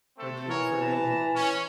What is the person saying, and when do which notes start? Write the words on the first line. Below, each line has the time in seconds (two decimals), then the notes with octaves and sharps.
Or do you prefer the old one?
0.18 A3 C4 A4
0.49 E3 F#4 A#4 C#5
0.80 B4 A5 A#5
1.35 C#4